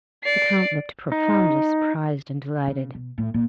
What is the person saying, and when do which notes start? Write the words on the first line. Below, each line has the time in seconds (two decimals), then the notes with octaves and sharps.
The Count looked profoundly surprised and delighted.
0.24 D5 C7
1.12 D#4
2.67 C#3
2.95 B2
3.18 A2
3.34 A#2